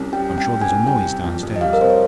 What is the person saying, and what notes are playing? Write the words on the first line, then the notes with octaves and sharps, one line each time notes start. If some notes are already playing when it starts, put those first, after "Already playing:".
I'm sure there's a noise downstairs.
Already playing: C2 C3 C#4
G3 G5
C3
G5
C#4
G#5
C2
G3 G5
C3
F2
F2
D#5
G3 F5
A#4
C3 C5
C#5